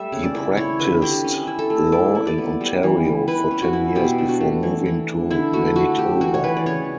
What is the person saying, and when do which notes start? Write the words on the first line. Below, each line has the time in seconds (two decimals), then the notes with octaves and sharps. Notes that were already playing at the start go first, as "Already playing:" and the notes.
He practiced law in Ontario for ten years before moving to Manitoba.
Already playing: G3 A3 E5
0.12 C#3
0.24 D5
0.34 E4
0.57 E4 C#5
0.79 D3 B4
1.02 D3 G4
1.24 C#4
1.47 E4
1.59 A4
1.70 A3
1.92 E4 D5
2.15 E4
2.27 D5
2.38 B3
2.61 G3
2.83 E3
3.05 G3
3.28 E4 B4
3.51 C#4
3.62 F#4
3.73 E4
3.95 B2 G4
4.18 D4
4.29 F#4
4.40 A3
4.63 E3
4.86 E3
5.09 D4
5.30 D3 E4
5.53 A3 F#4
5.76 A3 F#4
5.98 D4 G4
6.21 E3 F#4
6.34 C#5
6.44 E3 B4
6.57 D5
6.66 C#3 C#5